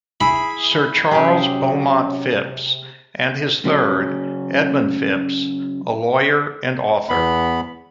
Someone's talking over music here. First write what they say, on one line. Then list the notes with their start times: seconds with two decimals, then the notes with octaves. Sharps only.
Sir Charles Beaumont Phipps and his third, Edmund Phipps, a lawyer and author.
0.21 E4 G#4 B5
1.11 C3 F#3 C#4 G4 G#4
3.65 C#3 F#3 C#4
7.09 E2 B3 B5